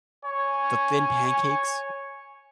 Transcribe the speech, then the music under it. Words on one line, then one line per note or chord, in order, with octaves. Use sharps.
the thin pancakes?
C#5 G#5